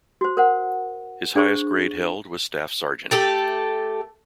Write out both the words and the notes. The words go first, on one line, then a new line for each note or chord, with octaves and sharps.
His highest grade held was staff sergeant.
F#4 C5
A#4 C5 F#5
D4 G#4 C5 C#6
A3 G4 A4